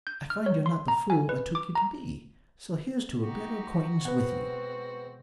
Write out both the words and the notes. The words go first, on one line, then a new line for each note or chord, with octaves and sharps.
"I find you're not the fool I took you to be; so here's to a better acquaintance with you."
G6
F6
C#5
C6
A#5
G#5
B4
D6
A#5
D#4 F#4 G4
B2 G#3 C4 B4 F#5